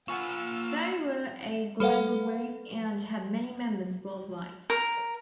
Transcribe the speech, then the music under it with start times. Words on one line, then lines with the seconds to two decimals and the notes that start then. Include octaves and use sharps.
They were a global group and had many members worldwide.
0.08 A#3 F4 F#5 G#5 B5 C#6 E6
1.80 G3 A4 B4 F5 F#5
4.70 A#4